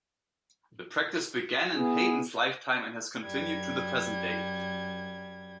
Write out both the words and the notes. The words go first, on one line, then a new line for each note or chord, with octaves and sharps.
The practice began in Haydn's lifetime and has continued to the present day.
B3 E4 G#4
F#2 G3 G#6